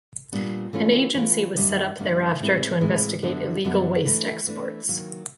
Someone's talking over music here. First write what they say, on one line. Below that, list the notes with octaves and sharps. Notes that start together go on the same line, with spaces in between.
An agency was set up thereafter to investigate illegal waste exports.
A#2 G3 B3 D4
E3 A3 C#4 F4
E3 A3 C#4 F4
F#2 D#3 G3 A#3 D4
F#2 D#3 G3 A#3 D4
A2 E3 G#3 C4 E4
A2 E3 G#3 C4 E4
F#2 D3 F#3 B3 D4
F#2 D3 F#3 B3 D4
E3 A3 D4
E3 A3 D4
D#3 F#3 A#3